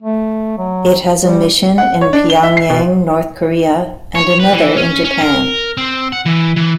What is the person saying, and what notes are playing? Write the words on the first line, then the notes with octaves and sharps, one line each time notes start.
It has a mission in Pyongyang, North Korea and another in Japan.
A3
F#3
G3
F#5
C#5
D4
G7
E5
C7
B2
C#5
B4
E3
C#4
C#4
A#4
C4
F#5
E3
E3